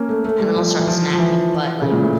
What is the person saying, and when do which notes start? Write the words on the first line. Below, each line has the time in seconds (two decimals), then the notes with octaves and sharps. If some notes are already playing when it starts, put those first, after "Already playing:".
and then I'll start snacking, but, like,
Already playing: A#3 C#4
0.09 A3
0.25 A3
0.40 G3
0.56 F3
0.79 E3
0.87 F3
1.13 F3
1.19 E3
1.82 C#3
1.92 A#2
2.02 A2